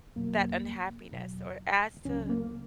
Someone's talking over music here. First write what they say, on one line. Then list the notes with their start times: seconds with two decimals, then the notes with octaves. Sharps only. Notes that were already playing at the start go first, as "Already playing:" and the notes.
that unhappiness or adds to,
0.15 E2 B2 F#3 A#3
1.11 E2 B2 F#3
2.05 C#2 C#3 F#3 C#4
2.29 A#3